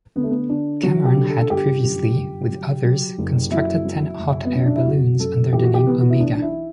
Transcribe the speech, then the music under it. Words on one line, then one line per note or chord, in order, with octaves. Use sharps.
Cameron had previously, with others, constructed ten hot air balloons under the name Omega.
D3 B3
A3
B3
D3 D4
F#3 F#4
G4
D3
A4
A4
G1 G4
F#2
G1
F#3
F#3
F#1
F#3 E4
F#3
F#1
B3
F#3 C#4
D4
E4
F#1 F#4
F#2 A4
E3 G4
F#4
G4
E3 B3
F#4
E4
B1 D4
D4
E4